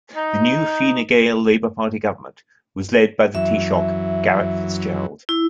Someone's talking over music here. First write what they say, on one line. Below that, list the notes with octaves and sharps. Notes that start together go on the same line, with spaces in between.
The new Fine Gael-Labour Party government was led by the Taoiseach Garret FitzGerald.
D#4
F#2 E3 F#3 E5
E4